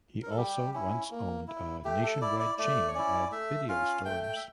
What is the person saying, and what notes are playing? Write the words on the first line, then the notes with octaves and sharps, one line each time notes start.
He also once owned a nationwide chain of video stores.
A#4
A4
G3 G4
C#4 E4
A#3
E4
A3 G4
A4
E4 D5
D5
A3 D5
C#5
C#4 E4 D5
A3 E5
C#4 F4 F5
A3 G5
G5
E5